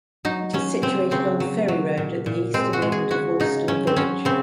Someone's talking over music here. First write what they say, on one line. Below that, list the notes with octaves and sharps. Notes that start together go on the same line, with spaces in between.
It is situated on Ferry Road at the eastern end of Woolston Village.
F#3 D#4
F#3 C#4
C#3 C4
C#3 C4
F#3
F#3
A#2
A#2
G#3 C4
F#4
G#3
G#4
C#3 F#4
C#3 D#4
F#3 C#4
C4
F#3 C#4
C#3 C4